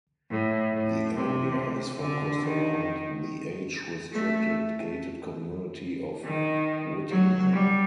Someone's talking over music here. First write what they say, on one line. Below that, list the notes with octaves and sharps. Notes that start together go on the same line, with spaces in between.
The area is focused around the age-restricted gated community of Whittingham.
A2
A2
C3
D3
D#3
A3
D#3
F#3
G3